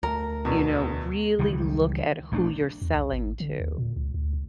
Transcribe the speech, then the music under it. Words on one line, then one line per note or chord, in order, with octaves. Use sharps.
you know, really look at who you're selling to
D2 A3 A#4
E2 B2
C#2 D#3 E3 G3
A#1 A3 C4 D4
E2
C2
G#1
D3
D#2
A#2
C#2
D2
C#2